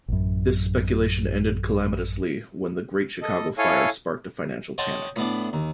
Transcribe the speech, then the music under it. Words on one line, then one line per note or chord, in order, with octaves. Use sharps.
This speculation ended calamitously when the Great Chicago Fire sparked a financial panic.
A1 F#2
A4 D#5
E4 A4 C#5 F5 G#5
C#5 D#5 F#5 G5 A5 C6
A2 B3 D4
D#2